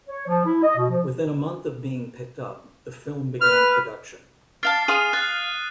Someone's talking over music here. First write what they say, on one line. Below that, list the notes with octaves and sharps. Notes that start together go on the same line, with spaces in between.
Within a month of being picked up, the film began production.
C#5
F3
E4
D#5
B2
F3
B4 F6
D5 F5 A5 F6 A6 C7
G#4 F5 C6 D#6 D#7
F5 F#6 A6